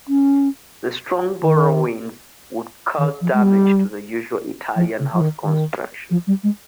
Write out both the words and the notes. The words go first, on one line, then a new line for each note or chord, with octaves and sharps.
The strong bora winds would cause damage to the usual Italian house construction.
C#4
D#3
D#3
F3
G#3
G3
F3
C#3
F3
D#3
D#3
F3
G3
G#3